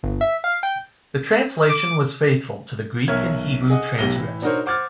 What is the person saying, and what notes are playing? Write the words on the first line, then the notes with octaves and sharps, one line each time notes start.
The translation was faithful to the Greek and Hebrew transcripts.
G1
E5
F5
G5
D6
B1 A#4 C#5 E5 F6 G#6
G#4 D#5 F#5
B1 G4 A#6 G7
A2 E3
D4 D#4 F#4 A#4 C5 C#5
C5 F#5 D6 F6 G#6 A6